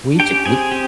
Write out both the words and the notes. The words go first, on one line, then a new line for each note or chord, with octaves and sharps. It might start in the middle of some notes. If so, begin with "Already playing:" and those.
We ju we
D4
G4 G5
C#4
C4 G#4 G#5
G4